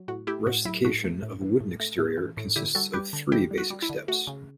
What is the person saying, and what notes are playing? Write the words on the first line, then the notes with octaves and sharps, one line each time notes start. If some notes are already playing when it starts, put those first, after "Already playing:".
Rustication of a wooden exterior consists of three basic steps.
Already playing: F#3
A2 F#4
A3 E4 G4
A2 F#4
F#3 E4
A2 F#4
A3
A2
E3
A2
A3
A2
E3
A2
D3 E4 G4
G3 F#4 A4
G3 G4 B4
D3
D3 E4 G4
G3
F#4
G3
E4
D3
A3 F#4
C#3